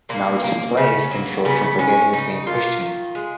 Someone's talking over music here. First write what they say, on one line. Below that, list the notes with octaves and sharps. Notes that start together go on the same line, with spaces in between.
Now, its place in short term forgetting is being questioned.
A#2 A#3
F3 A#3
C#3
F#3 A#3
C#3 B3
G#3 C#4
C#3 D#4
F#3 A#3 F4
D#3
G#3